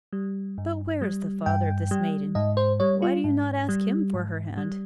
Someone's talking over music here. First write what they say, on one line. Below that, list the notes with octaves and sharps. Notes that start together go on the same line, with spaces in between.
'But where is the father of this maiden--why do you not ask him for her hand?
G3
G2
G3
G2 G5
G3
G#2 D#5
C5
G3 C#5
F4
G#2
G3
G#2
G3